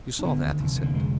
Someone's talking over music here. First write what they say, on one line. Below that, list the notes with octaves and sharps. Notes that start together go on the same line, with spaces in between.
"You saw that?" he said.
D4
D3 B3
D#2
F1
D3
A#3
F1 G#3